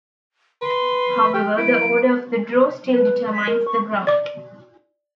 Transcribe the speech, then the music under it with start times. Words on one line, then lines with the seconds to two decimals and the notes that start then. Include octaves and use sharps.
However the order of the draw still determines the ground.
0.62 B4 C6
1.34 G4 F6
1.57 E4 D7
2.94 B4
3.33 B6
3.48 A#4
3.67 C#6
4.07 D5 D6